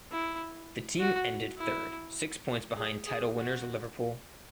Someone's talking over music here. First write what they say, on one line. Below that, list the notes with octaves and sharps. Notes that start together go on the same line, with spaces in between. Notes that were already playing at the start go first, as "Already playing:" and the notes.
The team ended third, six points behind title winners Liverpool.
E4
F#4
E4
G#4
G#4
F#4